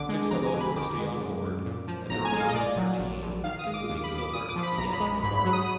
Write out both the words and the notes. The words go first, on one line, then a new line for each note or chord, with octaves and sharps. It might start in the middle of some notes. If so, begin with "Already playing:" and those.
Six fellows were to stay on board, and the remaining thirteen, including Silver, began to embark.
Already playing: B1 D3 D6
G#3
F2 A#5
G#5
F2
B5
D#3 D6
G#3
F#2
F#2
A#2
F3
B1 A#5
G#5
G#3
F5
D#5
A#2 D5
F#3
A#1
A#1
D#3 F5
D#6
G#3
D6
D#2 D6
B5
D#2
D6
A#2 D#6
D6
F3
B5
B1 A#5
B5
G#3
G#2 B5
B5
F#3
D#6